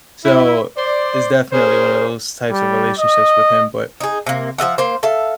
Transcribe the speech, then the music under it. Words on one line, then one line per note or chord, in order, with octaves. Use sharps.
So, it's definitely one of those types of relationships with him, but,
E4
C5 D5
C#4 G#4 A#4 C5
G3
D#5
D#4 G#4
C3 A#3
F3 G#3 E5 F#5
A#3 C5
A4 E5 F5